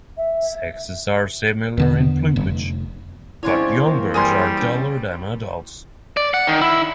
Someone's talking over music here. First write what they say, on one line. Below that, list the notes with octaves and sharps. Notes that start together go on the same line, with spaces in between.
Sexes are similar in plumage, but young birds are duller than adults.
E5
E2 D3 B3
F1
C#3 G#3 C4 D4 E4 F4 C#5
E3 A#3 C4
G3 G#4 A#4 C6
C4 C#4
D5
F#5
D#3
E4